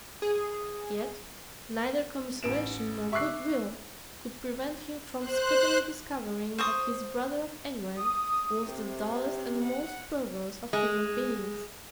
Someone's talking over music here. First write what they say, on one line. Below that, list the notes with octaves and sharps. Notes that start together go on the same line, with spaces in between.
Yet neither commiseration nor good will could prevent him from speedily discovering that his brother of England was the dullest and most perverse of human beings.
G#4
A1 D7 E7
E5 C#6 D6 E6 F#6 C7
C5 F#6
C5 C#6 D#6
D#6
C3
F#5
G#3